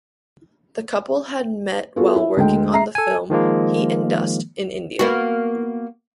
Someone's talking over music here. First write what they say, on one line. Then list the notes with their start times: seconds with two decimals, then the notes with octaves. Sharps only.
The couple had met while working on the film "Heat and Dust" in India.
1.96 B3 F4 F#4 G#4 A4
2.15 E4 E5
2.37 D2 G#3 G5
2.72 E5 A#5 C7
2.95 A4 G#5
3.30 D#3 F3 G#3 A#3
4.99 A#3 B3 F#4